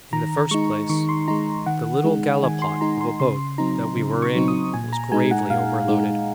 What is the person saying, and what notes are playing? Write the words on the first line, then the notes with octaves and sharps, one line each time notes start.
In the first place, the little gallipot of a boat that we were in was gravely overloaded.
D#3 A#5
G#3 D#4 C#6
D#3 C#6
C6
G#3 D#4 A#5
D#3 F#5
G#3 D#4
D#3 G#5
C6
G#3 D#4 A#5
C6
C#3 C6
F#3 C4 D#4 A#5
C#3
C#6
F#3 C4 D#4
D#6
A#2 G#5
A#5
G#3 D#4 G#5
F#5
A#2 F5
G#3 D#4